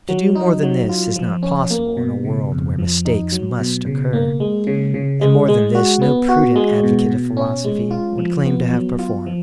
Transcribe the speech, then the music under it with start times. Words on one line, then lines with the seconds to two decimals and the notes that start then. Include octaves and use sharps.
To do more than this is not possible in a world where mistakes must occur; and more than this no prudent advocate of philosophy would claim to have performed.
0.09 F#3
0.35 D#4
0.62 F#3
0.89 F4
1.16 F3
1.43 C#4
1.70 A#3
1.97 B2
2.24 C#3
2.52 F2
2.78 F3
3.05 D#4
3.32 F#3
3.59 B2
3.86 C#3
4.13 A#3
4.40 G#3
4.67 C#3
4.94 C#3
5.21 G#3
5.48 G#3
5.75 F#4
6.02 B3
6.29 F#4
6.56 G#3
6.83 B2
7.10 B2
7.37 C#4
7.64 G#3
7.91 F4
8.18 F3
8.45 B3
8.73 F#3
8.99 F4
9.26 F3